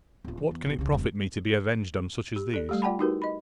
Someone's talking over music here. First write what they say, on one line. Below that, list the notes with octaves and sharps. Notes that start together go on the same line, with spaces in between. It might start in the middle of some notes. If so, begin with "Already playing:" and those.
What can it profit me to be avenged on such as these?
D1 F4
E3
E2
B1 D#3
C2 C#3
E1 G2
G4
A4 D5
G3 A3 G4
F4 D5 F#5 G5 A5 B5
D#4 E4 F#4 G4 A#4 B4
D#5 B5